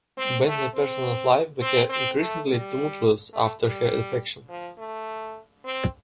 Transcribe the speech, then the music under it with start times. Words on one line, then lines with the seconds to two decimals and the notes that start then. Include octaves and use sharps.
Bentley's personal life became increasingly tumultuous after her defection.
0.17 C4
0.46 A3
0.74 C4
1.62 C4
1.90 C4
2.19 A3
2.48 G3
3.33 A3
3.62 G3
4.49 F3
4.78 A3
5.65 C4